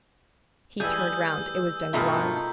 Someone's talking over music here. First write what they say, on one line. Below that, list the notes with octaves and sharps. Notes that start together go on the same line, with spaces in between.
He turned round; it was Danglars.
E3 G3 A3 G#4 E6 G6
G2 B2 D#3 A3 F4 G#4 A#4